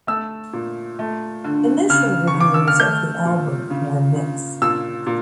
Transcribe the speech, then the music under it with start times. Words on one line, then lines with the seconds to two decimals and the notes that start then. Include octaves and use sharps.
Initial reviews of the album were mixed.
0.07 A3 E6
0.53 A#2
0.99 A3
1.44 D3
1.89 C#3 F6
2.27 C#6
2.34 C#3
2.41 D6
2.54 E6
2.68 F6
2.80 A3 G6
3.25 A#2
3.70 C#3
4.16 C#3
4.62 A#2 E6
5.07 A#2